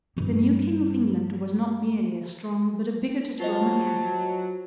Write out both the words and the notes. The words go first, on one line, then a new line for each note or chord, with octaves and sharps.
The new King of England was not merely a strong but a bigoted Roman Catholic.
G2 G3
F#3 F4 C5 D#5 A5